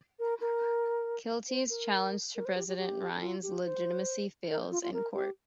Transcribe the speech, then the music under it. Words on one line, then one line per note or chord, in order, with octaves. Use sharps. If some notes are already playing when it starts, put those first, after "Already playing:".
Kealty's challenge to President Ryan's legitimacy fails in court.
A#4
A#4
C5
A#4
A#4
C5
G4
G4
G4
F4
G4
C5
A#4
F4
F4
A#4
G4